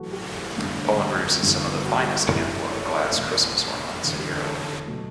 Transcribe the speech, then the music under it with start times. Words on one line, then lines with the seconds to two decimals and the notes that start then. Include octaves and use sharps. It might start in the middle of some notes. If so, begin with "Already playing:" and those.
Poland produces some of the finest hand-blown glass Christmas ornaments in Europe.
Already playing: A1 A2 F#3 A3 F#4 A4 B4
0.12 G4
0.56 G1 G2 D3 A3
1.42 G1 G2 E3 G3
1.85 F#4
1.99 G4
2.14 G4
2.28 F#1 F#2 E3 G3
2.71 A4 C#5
2.82 B4 D5
2.93 C#5 E5
3.04 A4 C#5
3.14 E2 B2 A3 B4 D5
4.01 E1 E2 D3
4.11 F#4
4.19 G4
4.27 A4
4.36 B4
4.43 A4 C#5
4.87 B2 F#3 A3